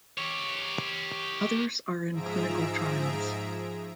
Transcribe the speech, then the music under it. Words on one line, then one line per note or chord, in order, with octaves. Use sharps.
Others are in clinical trials.
G4 C#5
G#2 F3 G#4 E5 A#5 D7